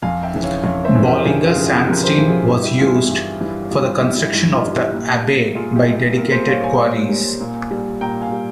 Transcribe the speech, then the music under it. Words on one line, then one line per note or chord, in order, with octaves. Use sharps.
Bollinger Sandstein was used for the construction of the abbey by dedicated quarries.
F2 F5 G#5
E5 G5
C#3 E3
C#5 F5
F2 C#5 F5
C5 E5
C#3 E3
G4 A#4
F2 F4 G#4
F4 G#4
C#3 E3
F4 G#4
F2 G4 A#4
C5
G4 A#4
C#3 E3
F4 G#4
G2 E4 G4
E4 G4
E3 G3 F4 G#4
E4 G4
G2
E3 G3
G2 F4
F4
E3 G3 E4 G4
E4 G4
G2 E4
F4
E3 G3
E4 G4
A#2
G3
A#2 F4 G#4
E4 G4
G3
A#2 G4 A#4
G#4 C5
G3 C#5 F5
F5 G#5
A#2
G3
A#2
G3
A#2 G5 A#5
F5 G#5
G3